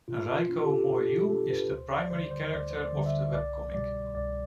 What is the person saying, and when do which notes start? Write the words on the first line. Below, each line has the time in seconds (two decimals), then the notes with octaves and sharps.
Reiko Mouryou is the primary character of the webcomic.
0.08 B2 F4
0.35 F4
0.49 B3 D4
0.62 G4
0.70 A4
0.78 G4
0.89 B2 A4
1.09 G4
1.29 B3 D4 A4
1.50 B4
1.71 D2 C5
1.92 D5
2.11 D3 G3 C5
2.31 C5
2.52 D2 D5
2.71 C5
2.80 D5
2.93 D3 G3
3.06 E5
3.33 C2 D5
3.74 B2 G3 D5
4.15 C2 D5